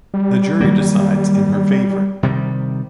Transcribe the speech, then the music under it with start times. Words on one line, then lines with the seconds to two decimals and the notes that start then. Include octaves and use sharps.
The jury decides in her favor.
0.14 G3
0.61 D#3 F#3 A#3
2.23 C3 D#3 G3